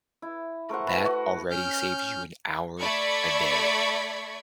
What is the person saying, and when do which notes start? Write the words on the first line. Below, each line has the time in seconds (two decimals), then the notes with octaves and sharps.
that already saves you an hour a day
0.22 E4
0.69 A3 A#4 C5 F#5
0.87 B4
1.06 F#4
1.50 C#4 F6 G6
2.80 A3 D5 B5 C#6 G#6 B6